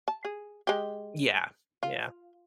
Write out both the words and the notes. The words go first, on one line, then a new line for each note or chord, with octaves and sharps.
Yeah, yeah.
A5
G#4
G#3 G4
F4